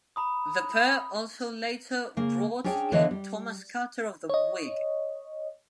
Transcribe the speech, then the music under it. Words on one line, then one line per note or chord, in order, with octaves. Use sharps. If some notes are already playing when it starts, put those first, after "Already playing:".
The pair also later brought in Thomas Carter of the "Whig".
A#5 B5 D#6
C#3 A#3
C#4 D4 G#4 C#5 G5
D3 E3 C#5 D#5 F5
G3
C#5 D#5